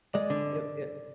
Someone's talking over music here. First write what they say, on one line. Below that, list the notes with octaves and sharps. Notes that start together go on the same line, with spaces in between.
It it
G#3 D5
D3